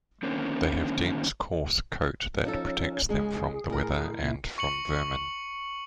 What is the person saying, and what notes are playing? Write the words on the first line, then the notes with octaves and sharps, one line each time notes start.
They have dense coarse coat that protects them from the weather and from vermin.
D3 D#3 A#3 C4 C#4
F3 C#4 D#4 A4
C#3 G#3 G#4
A2 A#4
A#2 E4
C#6 C#7 F#7